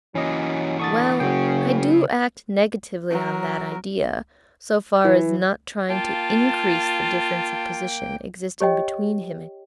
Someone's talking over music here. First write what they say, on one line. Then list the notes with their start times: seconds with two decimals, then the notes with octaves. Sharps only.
"Well, I do act negatively on that idea, so far as not trying to increase the difference of position existing between him and me."
0.15 E3 F#3 A#3 C#4 D#5
0.80 D3 C#6 D#6 A6
1.20 F#1 C#3 C#4 F#4 G5
3.10 F#3 A#4
5.05 E3
5.89 A#3 F4 G5 A5
8.60 G4 C#5 D#5 G5